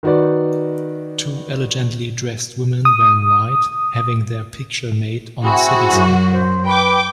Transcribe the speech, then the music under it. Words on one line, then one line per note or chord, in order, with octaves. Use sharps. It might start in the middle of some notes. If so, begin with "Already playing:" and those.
Two elegantly dressed women wearing white having there picture made on a city sidewalk.
D#3 D#4 F#4 B4 D5
D#6
C4 E4 F#4 G#4
F#2
C5
B4 G5 D6